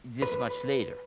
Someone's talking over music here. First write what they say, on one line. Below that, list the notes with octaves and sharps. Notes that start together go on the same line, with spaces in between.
this much later.
B4